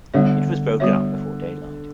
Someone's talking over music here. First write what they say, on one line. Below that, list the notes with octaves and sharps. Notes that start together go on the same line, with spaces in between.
It was broken up before daylight.
D3 G3 B3 F#4 C#5 E5
G3 B3 F#4 C#5 E5